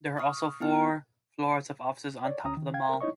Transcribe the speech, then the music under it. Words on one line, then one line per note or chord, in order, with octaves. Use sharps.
There are also four floors of offices on top of the mall.
C#6 D#6 F6
B3 E4 G#5 F6
C#5 D5
D2 C#4 A#5 D#6
D#3
F5 G5 G#6
A#4
D#4 E4 C#5 D#5 C#6